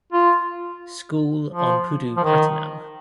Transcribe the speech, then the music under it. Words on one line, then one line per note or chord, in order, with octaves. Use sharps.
School on Pudupattinam.
F4
F3
F3
D#3